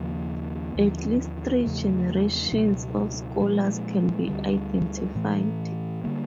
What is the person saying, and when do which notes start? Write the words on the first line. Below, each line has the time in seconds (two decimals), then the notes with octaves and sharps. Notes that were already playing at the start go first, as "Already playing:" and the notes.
At least three generations of scholars can be identified.
Already playing: D#2 C#3 F3 A#3
0.76 D#2 D3 F3
1.64 E2 C#3 F3 A3
2.52 C#2 B2 F#3
3.39 A#2 F3 G#3
4.27 D2 D3 G3
5.15 A2 E3 A3
6.04 D3 G3 A#3